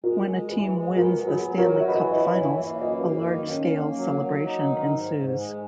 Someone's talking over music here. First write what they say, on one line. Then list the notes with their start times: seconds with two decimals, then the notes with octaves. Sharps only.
When a team wins the Stanley Cup Finals, a large-scale celebration ensues.
0.04 G#3 F#4 A#4
0.27 G#3
0.50 E3 G#4 B4
0.73 G#3
0.96 B3 F#4 A#4
1.20 F#3
1.27 G#4 B4
1.43 F#3
1.58 A#4 C#5
1.65 F#4
1.80 E5
1.88 E3 B4 D#5
2.11 E4 B4 D#5
2.35 E3 C#5 E5
2.57 A#3 C#5 E5
2.81 F#2 B4 D#5
3.04 A#3 G#4 B4
3.27 D#3 D#4
3.50 A#3 C#4
3.73 A#3
3.96 F#3
4.20 F#3
4.43 D#4
4.65 D#3
4.88 G#2
5.12 G#2
5.35 G#3